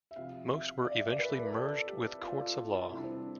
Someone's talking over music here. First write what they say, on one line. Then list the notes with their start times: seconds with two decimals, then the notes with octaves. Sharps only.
Most were eventually "merged with courts of law".
0.11 E5
0.16 C3 F3 F5
0.51 E5
0.85 D5
0.95 E5
1.06 D5
1.19 B4
1.29 A4
1.39 B4
1.53 A4
1.87 G4
2.22 F4
2.89 C3 E4
2.93 G3 D4
3.04 C4
3.12 D4
3.23 D4